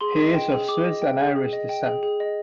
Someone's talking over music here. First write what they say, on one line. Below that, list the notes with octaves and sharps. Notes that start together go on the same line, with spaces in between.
He is of Swiss and Irish descent.
G#4 C6
D#5
G5
G#4
G#4 D6
D#5
G5
G#4
G#4
D#5
G5
G#4
G#4
D#5